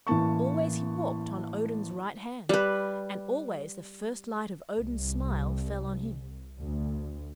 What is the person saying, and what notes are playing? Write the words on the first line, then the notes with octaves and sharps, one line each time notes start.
Always he walked on Odin's right hand, and always the first light of Odin's smile fell on him.
A1 E3 A#3 A5 C#6
G3 B4
C2
D2